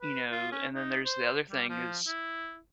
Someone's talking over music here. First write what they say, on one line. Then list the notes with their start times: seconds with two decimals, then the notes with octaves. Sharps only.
you know, and then there's the other thing is
0.02 B4
0.32 F4
0.52 C#4
0.75 D#4
1.05 C5
1.50 G3
1.69 F3
2.07 E4